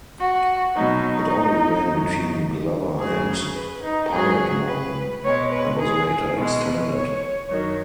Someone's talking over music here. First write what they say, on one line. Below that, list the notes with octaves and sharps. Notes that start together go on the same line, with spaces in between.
It only ran between Glover and Piedmont and was later extended.
F#4
B2 F#3 D#4
F#2 F#3
F#2 C#3 F#3 G#4
B4
D#4
G#2 F#3 G#4
B4
B2 G#3 C#5
B4
G#4
B2 G#3
B4
C#5
F#2 D#3 F#3 C#5